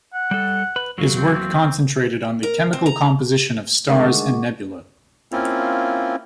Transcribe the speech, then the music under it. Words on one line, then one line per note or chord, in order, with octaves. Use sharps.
His work concentrated on the chemical composition of stars and nebulae.
F#5
G3 A4
B4
E2 F#3 A#3
C4
A#4
C4
A#5
D3 D#3 G#3 A3 A#4 F#5 C#6 D6
A#3 C4 C#4 E4 F4